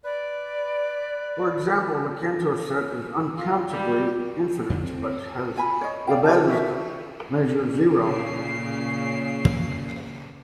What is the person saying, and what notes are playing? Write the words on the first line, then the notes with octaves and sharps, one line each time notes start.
For example, the Cantor set is uncountably infinite, but has Lebesgue measure zero.
B4 D5
F4
G3
F2 D3
C4
F4 G#5 B5
C#5 D#5
D5 F5 G5
G4 D5 A5
E4 F#4 E5
A#2 C#3 C7